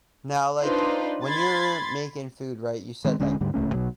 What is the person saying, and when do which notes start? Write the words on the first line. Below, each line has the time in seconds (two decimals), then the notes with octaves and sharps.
Now, like, when you're making food right, you said like
0.62 D4 D#4 F4 B4 C5
1.25 B5 C6 G#6 A6
3.05 D#3 G#3 C4
3.19 D#1 D3 G#3 C#4
3.41 D2 G#2 D3 G3
3.54 D1 C#2 A3 C#4
3.74 B1 B2 F#3